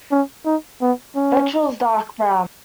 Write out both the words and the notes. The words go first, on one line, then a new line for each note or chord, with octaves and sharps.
Ventrals dark brown.
C#4
D#4
B3
C#4